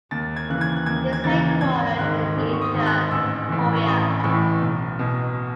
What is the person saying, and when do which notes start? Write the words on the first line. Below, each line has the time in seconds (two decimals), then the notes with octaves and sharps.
It is headquartered in Incheon, Korea.
0.11 D#2 A6
0.36 G#6
0.49 C#3 E3 F#6
0.61 G#6
0.76 F#6
0.86 D#2 G#6
1.13 G#6
1.24 C#3 E3 A6
1.61 G#1 G#6
1.99 G#2 D#3 F#6
2.36 G#1
2.53 C#6
2.61 D#6
2.74 G#2 D#3
2.86 F#6
3.11 A1 E6
3.49 A2 E3
3.76 C#6
3.86 A1 D#6
4.20 B5
4.24 A2 E3 C#6
4.61 B1
4.99 B2